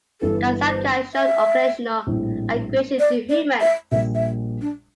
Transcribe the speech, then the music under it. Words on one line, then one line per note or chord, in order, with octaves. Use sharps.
Kasatka showed occasional aggression to humans.
G1 G2 E3 A4
C5
E5
A#1 A2 G3 C4 E4
D5
D5
E5
A#1 A#2 G3 E5
E5
D4